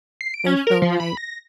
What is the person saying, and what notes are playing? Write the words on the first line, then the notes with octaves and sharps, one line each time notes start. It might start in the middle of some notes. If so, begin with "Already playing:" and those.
they feel like
C7
D7
C#4
A#4
F3
B5
A#6